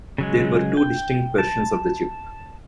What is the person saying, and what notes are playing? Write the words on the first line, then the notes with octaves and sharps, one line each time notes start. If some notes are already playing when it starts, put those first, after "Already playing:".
There were two distinct versions of the chip.
C#3 F#3 G#3
G5
A5